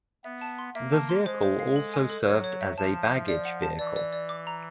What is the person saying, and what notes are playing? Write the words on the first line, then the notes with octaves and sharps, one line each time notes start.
The vehicle also served as a baggage vehicle.
B3 E5
A5
C6
A#3 E5
A5
C6
G#3 C5
C5
F5
A4
G#5
A4
F#3 C#5
C#5
E5
F3 A5
A5
E5
D5
F#5
A5
E3 D5
D5
D5
D6
A#5